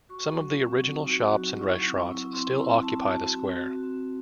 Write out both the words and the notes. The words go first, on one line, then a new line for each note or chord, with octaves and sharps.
Some of the original shops and restaurants still occupy the square.
F#4 C#6
F#3
C4
D#4
F#4
F#3
E4 C#6
C4
E4
C4 C6
E4 C6
C4 A5
F#4
C4
F#4
C4